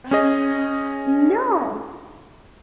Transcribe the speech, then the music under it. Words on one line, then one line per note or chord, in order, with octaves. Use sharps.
Uh, no.
C#4 G#4 D#5